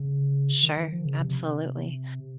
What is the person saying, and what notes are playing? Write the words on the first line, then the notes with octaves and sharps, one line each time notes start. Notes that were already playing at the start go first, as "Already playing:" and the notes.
Sure, absolutely.
Already playing: C#3
D#3
D#3
F3
C#3
C3